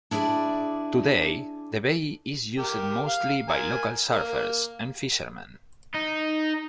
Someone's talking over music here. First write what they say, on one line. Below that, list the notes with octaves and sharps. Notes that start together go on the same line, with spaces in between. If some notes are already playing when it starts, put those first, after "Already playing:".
Today, the bay is used mostly by local surfers and fisherman.
D4 E4 G#4 D5
G4 A#4
F5
A#4 G#5
A#3
D#4